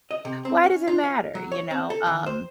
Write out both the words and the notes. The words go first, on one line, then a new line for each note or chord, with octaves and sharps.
why does it matter?" you know? Um,
D#5
C3
C4
C#4
F4
F5
F#3
C#5
C4
A4
D#3
C5